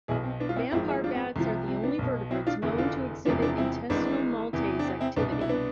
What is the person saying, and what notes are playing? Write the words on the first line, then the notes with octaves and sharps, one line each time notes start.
Vampire bats are the only vertebrates known to not exhibit intestinal maltase activity.
B1 B2 E4 G#4
C4
B3 D4
F4
C4 E4
G#1 G#2 F3 C4 E4
E4 G#4
D4 F4
C4
C2 C3 F3
C4
B3 D4
B1 B2
C4 E4
D4 F4
F1 E2 D3 E4 G#4
D4 F4
E1 E2 C3 F3 B3 D4
B3 D4
C4 E4
G#1 G#2 E3 B3 D4
E2 C3 E3
D4
C4
C4 E4
C2 B2 B3 D4
D4
E4
B3 D4